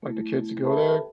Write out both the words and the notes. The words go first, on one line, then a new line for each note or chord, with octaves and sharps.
like, the kids to go there,
A3 E4
G4 A4 B4 E5 A5 B5